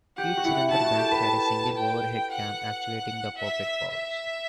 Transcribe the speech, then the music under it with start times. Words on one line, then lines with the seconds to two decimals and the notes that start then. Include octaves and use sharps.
Each cylinder bank had a single overhead cam actuating the poppet valves.
0.18 G4 F#5
0.37 F#4
0.45 E4
0.71 E4 A5
0.84 F#4
0.93 G4 A4
1.11 B4
1.77 G5
2.31 F#5
3.37 E5
3.91 E5